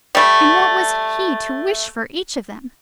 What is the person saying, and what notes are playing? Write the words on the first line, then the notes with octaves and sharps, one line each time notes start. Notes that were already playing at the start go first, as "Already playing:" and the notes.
And what was he to wish for each of them?
G3 A3